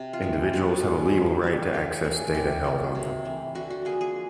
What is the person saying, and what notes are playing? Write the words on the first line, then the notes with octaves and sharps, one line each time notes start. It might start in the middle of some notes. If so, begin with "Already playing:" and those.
Individuals have a legal right to access data held on them.
Already playing: C3
F4
E3 G#3
F4
B2 F#4
G#3 B3
D#3
G3 A#3
C#3 G4
E3 A3 G#4
C3 G4
D#3 F#3 A#3
C3
E3 A3
D3 F#4
F#4
F3 A#3 G#4
G#4